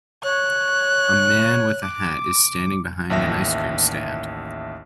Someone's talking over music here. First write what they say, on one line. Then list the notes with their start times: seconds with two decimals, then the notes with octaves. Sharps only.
A man with a hat is standing behind an ice cream stand.
0.24 C#5 F#6
1.82 D6
3.10 A1 D#2 E5 A#6